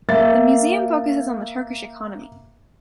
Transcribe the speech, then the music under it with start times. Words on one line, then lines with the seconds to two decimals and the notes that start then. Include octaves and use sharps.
The museum focuses on the Turkish economy.
0.09 A#3 E5 A6